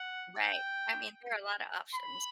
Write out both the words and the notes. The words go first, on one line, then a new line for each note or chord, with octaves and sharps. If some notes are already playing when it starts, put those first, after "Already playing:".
Right. I mean, there are a lotta options.
Already playing: F#5
G5
B5